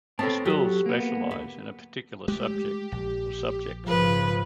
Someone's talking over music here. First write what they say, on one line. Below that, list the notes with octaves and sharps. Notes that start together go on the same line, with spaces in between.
The schools specialize in a particular subject or subjects.
B3 C4 A4 C#5 A5
F#3 F#4 G4
A#3 B3
D2 B4
G#3 A3 G4
A#1
G#2 C#3 F3 B4